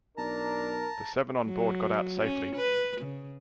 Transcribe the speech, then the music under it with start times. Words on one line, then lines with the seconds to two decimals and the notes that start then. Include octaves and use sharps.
The seven on board got out safely.
0.17 B1 D4 A#4 A5 A#5
1.45 F#3
2.20 C#4
2.56 B4
3.01 C#3